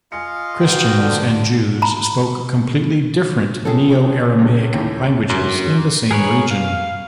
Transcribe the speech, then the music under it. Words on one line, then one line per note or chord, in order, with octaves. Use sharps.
Christians and Jews spoke completely different Neo-Aramaic languages in the same region.
F4 D#5 F5 G#5 C#7
G#2 F#4 B4 G5
D3
A#5 B5
C#3 F3 C4 G#4 A4
C#2 G2
D#2 A2
F#2
G#4 A#4 B4 C#5
F5